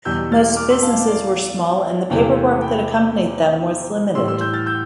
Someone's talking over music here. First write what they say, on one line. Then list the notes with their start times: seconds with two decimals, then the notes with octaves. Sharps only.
Most businesses were small, and the paperwork that accompanied them was limited.
0.05 E2 B2 G3 E6 G6
0.32 F6 A6
0.56 D6 F6
0.70 C6 E6
0.83 F5 A5
1.07 D5 F5
2.10 E2 C3 E3 A3 C4 F5 A5
2.62 G5 B5
4.15 A2 E3 G3 C6 E6
4.28 C6 E6
4.41 E6 G6
4.54 F6 A6
4.66 E6 G6